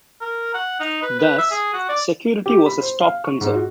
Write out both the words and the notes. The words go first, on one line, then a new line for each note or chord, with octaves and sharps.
Thus, security was his top concern.
A#4
F#5
D#4
B4
B4
E5
G#4
F#4
D5
G4
B5
C5
F5
C#6
G#2
F#4